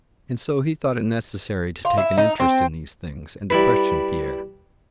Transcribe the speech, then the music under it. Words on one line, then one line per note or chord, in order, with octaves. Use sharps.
And so he thought it necessary to take an interest in these things and to question Pierre.
F4
E4
D#4
C4
G3 E4 B4